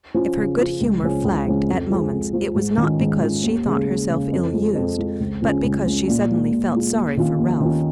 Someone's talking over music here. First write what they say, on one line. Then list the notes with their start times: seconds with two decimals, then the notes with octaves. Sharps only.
If her good-humour flagged at moments it was not because she thought herself ill-used, but because she suddenly felt sorry for Ralph.
0.14 F3 C#4 F4
0.36 C#3
0.58 F3 C#4 F4
0.80 C#2
1.03 C#3 F3 G#3 C#4
1.24 C#2
1.45 C#3 F3 G#3 C#4
1.69 F2
1.90 F3 G#3 F4
2.11 F2
2.33 F3 G#3 F4
2.55 G#2
2.78 D#3 C#4 F4
3.00 G#2
3.21 D#3 C#4 F4
3.43 D#2
3.65 C#3 G#3
3.87 D#2
4.09 C#3 G#3
4.32 F2
4.53 F3 G#3
4.75 F2
4.97 F3 G#3
5.20 C#2
5.42 C#3 F3 C#4
5.64 C#2
5.85 C#3 F3 C#4
6.08 A#2
6.29 G#3 F4
6.51 A#2
6.73 G#3 F4
6.95 D#2
7.17 D#3 C#4 F4
7.39 D#2
7.61 D#3 C#4 F4